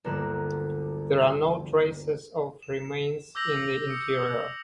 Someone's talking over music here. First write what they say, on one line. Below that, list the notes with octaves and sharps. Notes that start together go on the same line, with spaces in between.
There are no traces of remains in the interior.
G1 D2 F#3 A#3 F#6 E7
E7
D6 E6 G6 A#6 F7 F#7
D#6 C#7